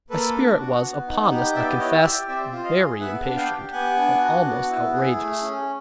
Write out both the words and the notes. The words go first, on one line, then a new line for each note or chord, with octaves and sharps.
My spirit was, upon this, I confess, very impatient, and almost outrageous.
A#3 A4 B4
D4
F#4
B3
D#4
G4
B3 D5 E5
E4 C#5 D#5
G4 D5 E5
C4 D5 E5
F4
D#5 F5
G#4
B3 E5 F#5
D4
F5 G5
G4
B3 F#5 G#5
D4
F#4
B3
E4
G#4
A3
C#4